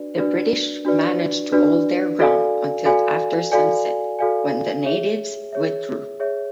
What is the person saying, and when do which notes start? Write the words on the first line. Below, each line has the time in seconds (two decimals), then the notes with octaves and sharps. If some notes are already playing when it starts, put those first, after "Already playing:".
The British managed to hold their ground until after sunset, when the natives withdrew.
Already playing: D4 F#4 B4 D5
0.18 D4 F#4 B4 D5
0.85 D4 F#4 B4 D5
1.52 D4 F#4 B4 D5
2.19 F#4 A4 D5 F5 G#5
2.85 F#4 A4 D5 F5 G#5
3.52 F#4 A4 D5 F5 G#5
4.19 F#4 A4 D5 F5 G#5
4.85 G#4 C#5 E5
5.53 G#4 C#5 E5
6.20 G#4 C#5 E5